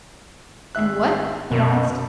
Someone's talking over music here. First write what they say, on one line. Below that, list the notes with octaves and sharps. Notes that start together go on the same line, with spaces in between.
"And what?" he asked.
G#1 E5 F#6
F#2 B2